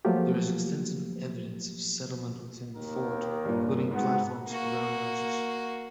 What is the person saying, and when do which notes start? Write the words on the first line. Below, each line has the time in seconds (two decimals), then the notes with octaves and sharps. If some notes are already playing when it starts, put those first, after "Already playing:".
There is extensive evidence of settlement within the fort, including platforms for roundhouses.
0.05 F3 F#3 A3 A#3 F4 G4
2.75 D#2 D#3 A#4
3.45 G2 A#2
3.91 G#2 B3 F#4
4.48 A#3 F#4